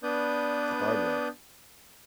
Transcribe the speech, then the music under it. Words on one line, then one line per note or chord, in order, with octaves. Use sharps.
The hard way
B3 D4 B4 D5 D#6 G6